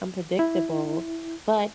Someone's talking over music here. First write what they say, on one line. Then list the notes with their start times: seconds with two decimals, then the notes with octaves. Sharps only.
unpredictable, but
0.39 E4